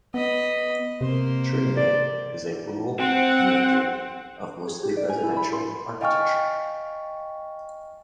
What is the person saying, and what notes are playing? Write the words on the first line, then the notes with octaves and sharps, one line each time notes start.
Trinway is a rural community of mostly residential architecture.
B3 D#5 B5
C3 A#3 C5
D5
C4 F#5
G#4
G4
D5
G#5
E4
B5
C6
D#5 F5 G5 G#5 C#6 F6